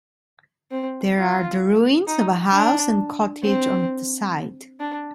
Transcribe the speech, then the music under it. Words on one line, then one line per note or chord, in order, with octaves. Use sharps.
There are the ruins of a house and cottage on the site.
C4
F4
D#4
D4
C4
D4